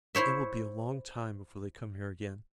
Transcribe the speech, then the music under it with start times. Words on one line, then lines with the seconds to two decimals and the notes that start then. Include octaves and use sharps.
It will be a long time before they come here again.
0.15 E4 C5 C#5 E5